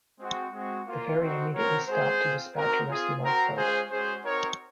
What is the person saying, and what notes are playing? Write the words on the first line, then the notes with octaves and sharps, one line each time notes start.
The ferry immediately stopped to dispatch a rescue lifeboat.
G#3 C4 F#4
G#3 C4 F#4
A#3 F4
C4 D#4 F#4
C4 F#4 A#4 C#5
G#3 C4 F#4 G#4 C5
C4 F4
C4 D#4 F#4 A#4
C4 F4 G#4
C4 F#4 A#4
G#3 C#4 F4 G#4 C5
G#3 C#4 F#4 G#4 C5
C4 D#4 F#4 A#4 C#5